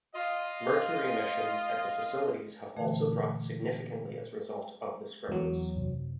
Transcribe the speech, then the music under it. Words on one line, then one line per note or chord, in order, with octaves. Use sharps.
Mercury emissions at the facilities have also dropped significantly as result of the scrubbers.
F4 D#5
A#2 D3 E3 A3
E2 F#3 G#3 B3
F#2 C3